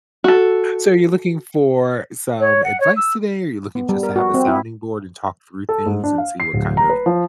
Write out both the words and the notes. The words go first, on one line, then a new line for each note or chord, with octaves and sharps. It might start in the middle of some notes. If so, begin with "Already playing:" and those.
so are you looking for some advice today, or you're looking just to have a sounding board and talk through things, and see what, kind of,
F#4 A4
C#5
F#5
C#5
E6
B3
G3
A#4
F#4
C4
E4
A4
G#2
D4
F5
C7
D1
A#5
B4
F3